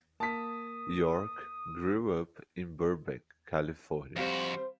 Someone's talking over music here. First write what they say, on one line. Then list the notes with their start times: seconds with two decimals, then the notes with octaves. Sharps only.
York grew up in Burbank, California.
0.20 A#3 A5 D#6 B6
4.16 F2 G3 C4 F#4 C5 F5